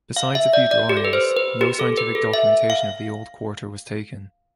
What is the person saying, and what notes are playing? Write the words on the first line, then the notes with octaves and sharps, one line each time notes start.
Besides a few drawings, no scientific documentation of the old quarter was taken.
F5
E5
D5
D5
G4
A4
B4
C5
B4
G4
A4
B4
A4
E5
F5